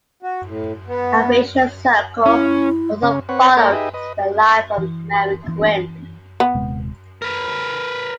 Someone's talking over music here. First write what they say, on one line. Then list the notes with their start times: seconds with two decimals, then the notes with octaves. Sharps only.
"A Vicious Circle" also follows the life of Mary Quinn.
0.22 F#4
0.45 A2
0.87 B3
2.26 C#4 E4
3.03 C#3 C#4
3.29 C4 B4 C#5 F#5
3.57 A#3 A4 A#4 C#5 D5 A#5
3.72 D#4 G4 G#4 B4 D#5 E5
3.94 B4 D#5
4.78 E3
5.48 E3
6.40 B3
6.54 D#1 C3 G#3
7.22 A#4 B4